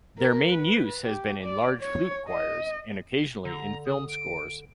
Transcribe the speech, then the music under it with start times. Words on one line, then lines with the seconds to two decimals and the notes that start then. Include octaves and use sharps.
Their main use has been in large flute choirs and occasionally in film scores.
0.18 A#4
0.52 B4
1.05 G4
1.43 D5
1.81 C#5
2.29 D#5
3.45 D3 A#5
3.86 D#6
4.09 D7